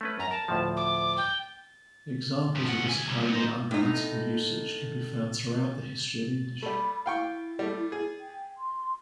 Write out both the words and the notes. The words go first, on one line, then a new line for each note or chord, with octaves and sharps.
Examples of this apparently ungrammatical usage can be found throughout the history of English.
A3 C#4 B4
F#2 A#5
A#4 A5
D2 A2 F3
D6
G5
G2 F3
A3 F#5
D2 G#5
C2
B1 F#3
D#4 C5
A2 D#4
G3 A3 B5
E4 F5 G5 C#6
G3 A3
G#4
G5
C6